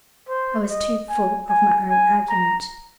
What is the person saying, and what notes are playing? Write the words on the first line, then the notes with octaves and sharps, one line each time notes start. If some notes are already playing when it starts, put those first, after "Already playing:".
I was too full of my own argument.
C5
D#5
G#5
G#5
G#5
A#5